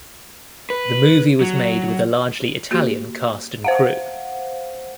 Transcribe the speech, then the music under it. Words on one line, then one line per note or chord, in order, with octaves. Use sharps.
The movie was made with a largely Italian cast and crew.
B4
F#3
A#3 F#4 G4
C5 F5 F#5